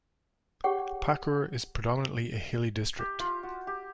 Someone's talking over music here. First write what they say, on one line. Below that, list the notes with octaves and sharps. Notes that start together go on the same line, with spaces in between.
Pakur is predominantly a hilly district.
G4 G#4 C#5 F#5 G5 C#6
G4
F4
F#4
G4